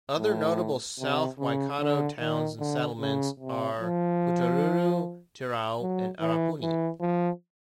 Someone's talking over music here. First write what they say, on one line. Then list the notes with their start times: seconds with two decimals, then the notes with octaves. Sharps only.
Other notable South Waikato towns and settlements are Putaruru, Tirau and Arapuni.
0.19 A2
0.99 C3
1.39 C#3
1.80 D3
2.20 D#3
2.60 D3
3.00 C#3
3.40 C3
3.80 F3
5.81 F#3
6.21 E3
6.62 E3
7.01 F3